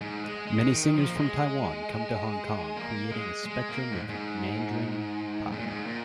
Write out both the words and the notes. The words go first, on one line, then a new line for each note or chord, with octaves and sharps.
Many singers from Taiwan came to Hong Kong creating a spectrum of Mandarin pop.
G#2
G#3
G#3
D#3
F3
A#3
G#3
A#3
G#3
G#3
A#3
G#2
G#2
G#2
A#2
G#2
A#2